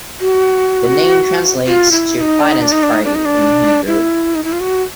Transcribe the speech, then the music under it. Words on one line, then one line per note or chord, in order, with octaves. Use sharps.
The name translates to "Finance Party" in Hebrew.
F#4
F4
E4
E4
D#4
D4
D#4
D4
D#4
D4
D#4
D4
D#4
D4
E4
D#4
E4
F4
F#4